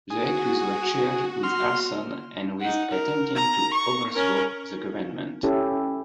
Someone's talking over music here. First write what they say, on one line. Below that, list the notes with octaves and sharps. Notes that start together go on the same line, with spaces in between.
The accused were charged with arson and with attempting to overthrow the government.
F#4 G#4
C6 F6
D#4 F#5
A#4
A#5
C#6
C#4 A#4
C#4 E4 G4 A4